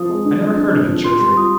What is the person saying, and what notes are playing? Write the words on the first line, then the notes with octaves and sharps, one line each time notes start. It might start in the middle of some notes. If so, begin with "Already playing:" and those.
"I never heard of a church-rate."
Already playing: F3 F4 D#6
G#3
D4
F3
D4
D4
F3
F4 C6
G3 C6
F4 D#6